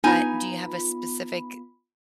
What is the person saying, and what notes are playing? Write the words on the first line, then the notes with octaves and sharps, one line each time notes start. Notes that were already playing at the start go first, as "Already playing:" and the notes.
but do you have a specific
B3 D#4 F4 G#5 A#5 B5